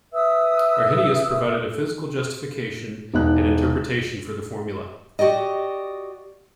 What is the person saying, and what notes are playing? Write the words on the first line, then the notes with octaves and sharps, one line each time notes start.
Arrhenius provided a physical justification and interpretation for the formula.
B4 E5 D#6 E6
E1 D#4 F#6
F#4 G4 D5 D#5